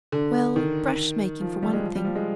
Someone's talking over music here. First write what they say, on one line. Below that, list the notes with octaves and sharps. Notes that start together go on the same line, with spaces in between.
'Well, brush-making for one thing.'
D3
D#3
F3
G3
G#3
F3
G3
F3
G#3